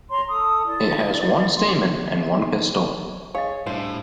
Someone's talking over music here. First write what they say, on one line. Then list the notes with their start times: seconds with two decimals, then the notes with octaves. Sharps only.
It has one stamen and one pistil.
0.09 C#5 A#5 C6
0.28 A4 D#6
0.66 E4 D5
1.56 C6
3.35 G#4 C#5 D#5 F5
3.67 C2 A2 D4 C5